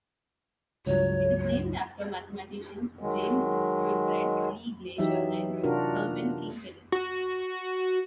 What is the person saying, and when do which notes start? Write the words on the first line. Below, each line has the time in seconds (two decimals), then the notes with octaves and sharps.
It is named after mathematicians James Whitbread Lee Glaisher and Hermann Kinkelin.
0.87 C#2 G2 F#3 C#5
2.99 D#3 F#3 G#3
4.98 E3 F#3 D#4 G4 E5
5.63 C3 D4 F4 F#4 A#4
6.92 F#4